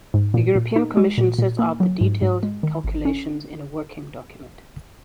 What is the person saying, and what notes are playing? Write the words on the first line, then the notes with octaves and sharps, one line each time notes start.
The European Commission sets out the detailed calculations in a working document.
G#2
A#2
A#2
D#4
G#3
A#2
A#2
A#3
F#3
G#2
G#2
G#3
D#3
G#1
C#4